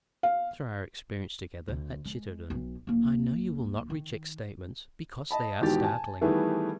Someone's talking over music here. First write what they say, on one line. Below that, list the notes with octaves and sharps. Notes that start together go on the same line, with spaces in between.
After our experience together at Chittenden I know you will not reject statements because they are startling.
F5
D2
G#3
B1
D1 A#3
D#3
D#5 A5 B5
E2 G#2 B2 D#3 G4 A6
G#5 A5
D#3 E3 G3 A3 B3 G#4